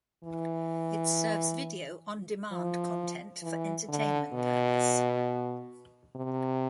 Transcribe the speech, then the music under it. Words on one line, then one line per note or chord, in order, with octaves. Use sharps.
It serves video on demand content for entertainment purpose.
E3
F3
E3
D3
B2
C3